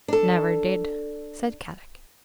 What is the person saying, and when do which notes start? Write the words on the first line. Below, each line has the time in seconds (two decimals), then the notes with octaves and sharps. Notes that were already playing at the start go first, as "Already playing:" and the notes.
"Never did," said Kadok.
0.08 D4 A4